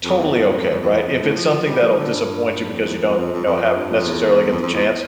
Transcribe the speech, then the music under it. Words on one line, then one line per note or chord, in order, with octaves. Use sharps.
totally okay, right? If it's something that'll disappoint you because you don't, you know, have necessarily get the chance,
F2
E2
F2
G2
F2
F2
E2
E2
F2
A2
F3
F3
G3
F3
D3
G2
F2
F2
E2
F2
F2
F2
F2
F2
G2
F2
E2
F2
F2
E2